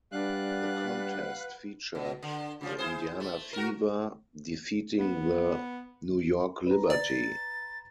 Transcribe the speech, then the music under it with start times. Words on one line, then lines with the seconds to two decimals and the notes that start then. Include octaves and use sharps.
The contest featured the Indiana Fever defeating the New York Liberty.
0.12 G3 D4 B4 F5 F#5 F#6
1.95 B2
2.23 D3
2.61 C#3 F3 G3
2.78 E4 G#4 C5
3.20 A3
3.53 F#4 A#4
4.99 B3
6.66 B4 A#5
6.90 D5 A6